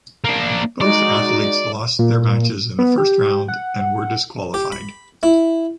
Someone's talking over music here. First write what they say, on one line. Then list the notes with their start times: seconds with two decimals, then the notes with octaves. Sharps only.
Both athletes lost their matches in the first round and were disqualified.
0.25 A#3 D4
0.81 G#3 D#4 F#4 D5
1.99 A#2
2.79 B3
2.98 G4
3.48 F#5
4.54 G4
4.72 B5
5.23 E4